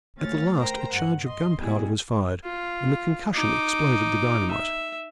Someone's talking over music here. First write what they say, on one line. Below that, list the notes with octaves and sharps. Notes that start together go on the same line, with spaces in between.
At the last a charge of gunpowder was fired, and the concussion exploded the dynamite.
D2 C#4 F4 F5 A6
A#4 C5 G5 A#5
G2 F#5
D#5 C6
B2 G3 G#3 E4 G#4
F4
D#4 D6
E5